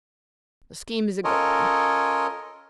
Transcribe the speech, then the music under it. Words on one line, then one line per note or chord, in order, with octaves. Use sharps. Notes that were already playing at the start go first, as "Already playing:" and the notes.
The scheme is a good one.
C#4 F4 A4 A#4 C#5 D#5